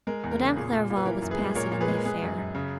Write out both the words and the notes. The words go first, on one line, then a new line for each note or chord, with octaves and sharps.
Madame Clairval was passive in the affair.
G#3 A#4
E2
A#4
C#3
A#2 G#4
A#2
A#2
B4
E3 A#4
F#2
G#4 B4
G#3
A#2 A#4 C#5
A#2
G#4 B4
G#3
A#4
G#3 G#4 B4
F#2
F#2
C#3